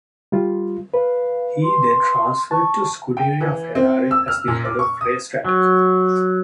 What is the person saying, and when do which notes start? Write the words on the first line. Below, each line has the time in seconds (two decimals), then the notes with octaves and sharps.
He then transferred to Scuderia Ferrari as the Head of Race Strategy.
0.32 G3 F4
0.94 B4 F5
1.62 C6
2.51 A5 C#6
3.17 G5
3.40 E3
3.75 C4
4.11 E6
4.28 F6
4.48 A#2
4.65 D6
4.79 C#6
5.01 D#6
5.44 F#3